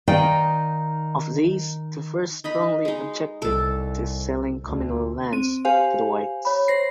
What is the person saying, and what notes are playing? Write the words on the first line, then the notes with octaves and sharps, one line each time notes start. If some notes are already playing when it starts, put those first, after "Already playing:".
Of these, the first strongly objected to selling communal lands to the whites.
D#3 D#4 D5 F5 G5
D#4 D#5 B5
G#3 D#4
C2 A4 A5
D2
C4 D#7
G4 C5 F5 G#5
C#5 B5
C5 A#6 C7